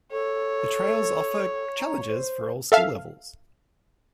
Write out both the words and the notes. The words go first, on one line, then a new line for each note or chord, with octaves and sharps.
The trails offer challenges for all skill levels.
A4 C#5
A#5
C5
A4 E5 F5